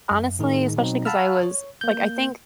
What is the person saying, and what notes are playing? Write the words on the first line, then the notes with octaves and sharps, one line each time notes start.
honestly especially 'cause I was like, I think
F#2
A2 D#3 D#4 G#4
B2 F#3 C4 D#4
F5 F#5 A5 B5 E6 F6
C#5
A#3 G6